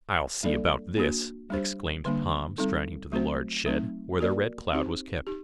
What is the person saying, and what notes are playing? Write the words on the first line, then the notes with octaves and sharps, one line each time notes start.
"I'll see about this," exclaimed Tom, striding to the large shed, where the Red Cloud was kept.
G3 A#3 D4 A4 D5
A#3 D4 F#4
G3 D4 G4 C5
D3 G3 A#3 D4
G3 C4 D#4 A4
F#3 A3 C4 F#4 C5
F#3 A3 C4 D#4
A#3 F#4 A#4 D5
C4 D#4 G4 C5
D#4 G4